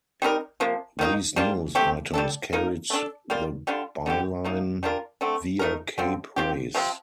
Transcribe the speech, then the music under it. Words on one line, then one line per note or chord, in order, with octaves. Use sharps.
These news items carried the byline "via Cape Race".
G3 C4 D#4 A#4
C3 F3 A#3
D#3 A#3 D#4
G3 A#3 D4 F4
A3 C4 G4
G3 D4 A4
A#3 D#4 A#4
A3
D4 A4
G3 A#3 F4
D3 G3 D4 F4
D3 G3 D4 G4
F3 A#3 D#4
G3 D4 F4 A#4
D3 A3 C4
A3 D#4 A#4
D3 F3 C4
F3 C4 G4
C3 F3 C4